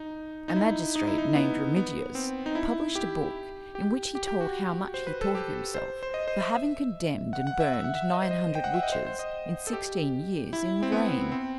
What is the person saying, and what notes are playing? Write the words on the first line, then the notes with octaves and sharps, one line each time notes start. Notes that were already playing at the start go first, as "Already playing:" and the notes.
A magistrate named Remigius, published a book in which he told how much he thought of himself for having condemned and burned nine hundred witches in sixteen years, in Lorraine.
Already playing: D#4
D#4
E4
D#4
E4
D#4
B3
B3
C4
D#4
E4
G4
G4
G4
G4
F#4
C5
B4
A4
G4
C5
C5
D#5
C5
E5
F#5
F#5
E5
E5
F#5
E5
D#5
C5
D#5
G5
F#5
E5
D#5
C5
C5
D#5
A4
G4
E4
C4
B3
C4